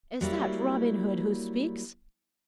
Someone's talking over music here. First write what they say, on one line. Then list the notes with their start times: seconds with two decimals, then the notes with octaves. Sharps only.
"Is that Robin Hood who speaks?"
0.21 F#3 G3 A#3 E4